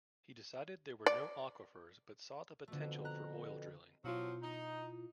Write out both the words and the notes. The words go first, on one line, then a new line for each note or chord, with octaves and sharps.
He decided there were no aquifers but saw the potential for oil drilling.
D5
F2 B2 D3 A3
A#5 F#6
B2 F3 F#3 E4 F4
D#4